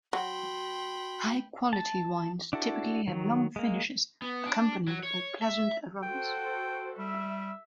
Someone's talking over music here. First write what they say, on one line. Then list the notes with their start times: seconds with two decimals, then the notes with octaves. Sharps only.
High quality wines typically have long finishes accompanied by pleasant aromas.
0.13 F#3 F#4 G5 B5 C6
1.73 A5
2.53 D4 E4 F#4 A4
3.08 D#3 F#3
3.56 G#3 A#3
4.22 B3
4.46 D4
4.87 F#3
5.03 C#5
5.42 E5
6.03 F#4 A4 C5 G5
6.99 G3 E5